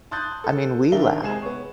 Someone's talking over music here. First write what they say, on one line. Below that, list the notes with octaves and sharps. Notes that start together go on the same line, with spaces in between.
I mean, we laugh,
A5 C6 D#6 F#6 G6 A6
A4
D#3 D4 A#4 E5 G7
C3 G#3 G#4 E7
B3 C#5